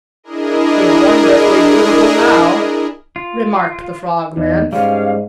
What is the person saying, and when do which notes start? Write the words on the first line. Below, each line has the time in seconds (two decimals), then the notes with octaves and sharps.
"She's wonderfully beautiful now," remarked the Frogman.
0.23 D4 E4 G#4 A#4 D#5
3.16 F4
4.37 E2 D#4
4.73 G#2 G3 C#4 F5